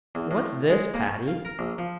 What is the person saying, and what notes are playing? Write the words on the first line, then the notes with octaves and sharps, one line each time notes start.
"What's this, Patty?"
E2
A2
G#3
A#3
C#6
F5
A#4
A#1
F3